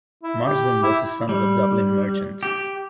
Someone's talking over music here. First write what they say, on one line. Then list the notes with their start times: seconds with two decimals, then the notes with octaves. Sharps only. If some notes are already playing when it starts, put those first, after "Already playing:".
Marsden was the son of a Dublin merchant.
0.23 E4
0.46 G4
0.83 E4
1.29 G3
2.43 G4